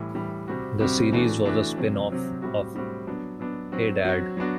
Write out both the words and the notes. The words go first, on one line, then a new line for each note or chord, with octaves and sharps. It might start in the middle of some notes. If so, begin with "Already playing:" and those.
The series was a spin-off of Hey Dad...!
Already playing: A2 E3 G3
A2 E3 G3
C3 G3 C4 F#4
C3 G3 C4 F#4
E3 A3 D4 F#4
E3 A3 D4 F#4
C3 F#3 C4
C3 F#3 C4
A2 G3 C4 F#4
A2 G3 C4 F#4
F#3 B3 D4
F#3 B3 D4
F#3 C4 F#4
F#3 C4 F#4
F#3 B3 D4 F#4